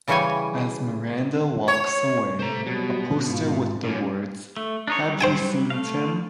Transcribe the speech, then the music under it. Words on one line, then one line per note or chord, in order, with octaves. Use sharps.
As Miranda walks away, a poster with the words Have you seen Tim?
C#3 E3 G3 C#5 G5 G#5
C#5
C3 A3 C5 A#5
B2 F#3 G3
G#2 F4
F#2 A#2 C#4
A3
D4 D#4 C#5
F#3 G3
C5 G5 G#5
A3 F5